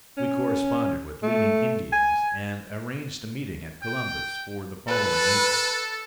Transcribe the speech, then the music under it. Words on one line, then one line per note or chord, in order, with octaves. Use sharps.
We corresponded with leading Indians and arranged a meeting at Columbus for the following April.
C#4
A3
G#5
G5
A4 B4